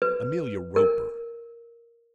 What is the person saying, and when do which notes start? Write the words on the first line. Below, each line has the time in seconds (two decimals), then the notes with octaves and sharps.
Amelia Roper!
0.02 B4
0.76 A#4